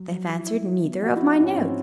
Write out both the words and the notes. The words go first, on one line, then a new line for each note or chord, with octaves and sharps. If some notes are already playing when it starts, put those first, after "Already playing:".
They have answered neither of my notes.
Already playing: F#3
F#3
E4
E4
F#3
B3
F3 F#4
E4
C4
D#4
G#2 C#4
G#2 C4